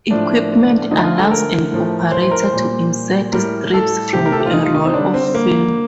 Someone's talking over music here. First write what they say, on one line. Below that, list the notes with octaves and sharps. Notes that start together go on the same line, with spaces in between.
Equipment allows an operator to insert strips from a roll of film.
A2 F3 A3 D4
D3 F3 A3 D#4
F4
A4
A#4
A2 F3 A3
C5
C5
A#4
C5
A#2 G3
A2 G3 A#4
A4
C3 D#3 A3 G4
A#4
A4
G4
F4
D#4
F4
D#4
C4
D3 G3 D4
C4
C4
A#3